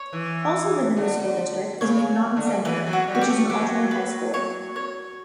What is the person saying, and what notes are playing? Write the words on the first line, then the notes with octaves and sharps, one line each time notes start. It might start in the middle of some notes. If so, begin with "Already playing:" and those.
Also within the school district is McNaughton Centre which is an Alternate High school.
Already playing: C#5
E3
D3
C#3 C#5
D3
E3 B4
F#3
F#4
G3
F#4
G4
A3
F#3 G4
B4
C#5
C#5